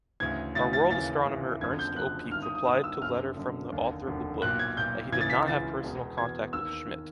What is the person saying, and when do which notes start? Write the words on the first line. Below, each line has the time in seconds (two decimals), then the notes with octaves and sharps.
Our world astronomer Ernst Öpik replied to letter from the author of the book, that he did not have personal contact with Schmidt.
0.20 D2 C#3 E3 G#6
0.55 D2 C#3 E3 A6
0.73 A6
0.90 D#2 C#3 E3 A6
1.26 D#2 C#3 E3
1.60 F#1 F2 D3 G#6
1.79 G6
1.96 F#1 F2 D3 F#6
2.31 G1 G2 D#3 F6
2.42 D#6
2.55 D#6
2.66 G1 G2 D#3 D#6
2.84 E6
3.02 F#1 F#2 D3 F6
3.37 F#1 F#2 D3
3.71 F1 D#2 D3
4.07 F1 D#2 D3
4.42 B1 A#2 F#6
4.59 G#6
4.77 B1 A#2 G6
5.12 C#2 C#3 E3 G#6
5.21 A6
5.30 B6
5.47 C#2 C#3 E3 A6
5.83 E1 E2 B2
6.18 E1 E2 B2 G#6
6.53 D#2 D#3 E6
6.88 D#3